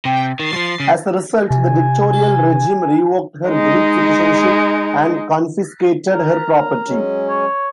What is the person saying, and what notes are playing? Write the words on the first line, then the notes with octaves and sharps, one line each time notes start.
As a result, the dictatorial regime revoked her Greek citizenship and confiscated her property.
C3 G5
D#3 A6 C7
F3 F#3
C#3
C3 G#5
G#3 D#4
A#4
F#3 G#3 C#4
C#5